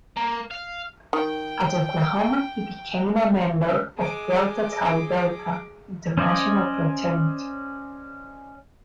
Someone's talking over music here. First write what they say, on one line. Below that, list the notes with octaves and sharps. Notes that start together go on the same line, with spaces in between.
At Oklahoma he became a member of Delta Tau Delta International Fraternity.
A#3
F5
D#3 G5
G#3 D6
C#4 C5 D5 D#5 G#5